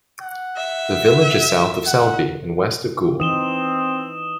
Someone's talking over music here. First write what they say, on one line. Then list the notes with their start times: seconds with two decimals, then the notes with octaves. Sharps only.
The village is south of Selby and west of Goole.
0.21 F#5
0.57 E5
1.86 F#5
3.20 E3 C4 D#4 D#6 E7 G7